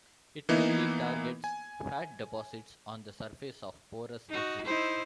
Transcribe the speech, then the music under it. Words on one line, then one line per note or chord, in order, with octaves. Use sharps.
It mainly targets fat deposits on the surface of porous exhibits.
E3 A#3 B3 D#4 E4
G#5
D#4 F#4
D#4 E4 C5